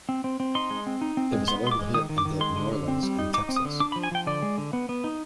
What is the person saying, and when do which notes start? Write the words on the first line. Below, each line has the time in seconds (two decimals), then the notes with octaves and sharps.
It was a local hit in the New Orleans and Texas.
0.09 C4
0.24 C4
0.40 C4
0.55 D#4 C6
0.70 G#3
0.87 C4
1.01 D#4
1.17 C4
1.32 G#3
1.48 B3 C6
1.64 G#3 C6
1.71 D6
1.79 G#3
1.94 D#3 D#6
2.09 D#3
2.18 D6
2.25 D#3
2.40 G#3 C6
2.56 D3
2.72 D3
2.88 C4
3.03 G3
3.19 D#4
3.34 D#4 D6
3.49 C4
3.56 D#6
3.65 D3
3.80 D4 D6
3.92 B5
3.96 F3
4.03 G#5
4.11 F3 G5
4.26 D3 D5
4.42 G#3
4.58 D3
4.73 B3
4.89 B3
5.04 D#4